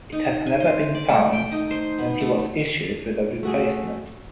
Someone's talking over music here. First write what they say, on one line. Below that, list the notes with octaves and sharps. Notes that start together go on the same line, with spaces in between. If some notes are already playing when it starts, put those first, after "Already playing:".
It has never been found, and he was issued with a replacement.
D#4
G#5
C5
D5
A3
G5
D#4
C5
B3
A3
A3 F#4 G#4